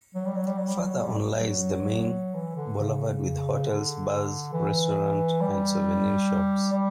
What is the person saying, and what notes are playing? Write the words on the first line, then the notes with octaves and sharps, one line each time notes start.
Further on lies the main boulevard with hotels, bars, restaurants and souvenir shops.
F#3
G3
F#3
G3
F#3
G3
F#3
G3
F#3
E3
D3
C#3
D3
E3
G3
G3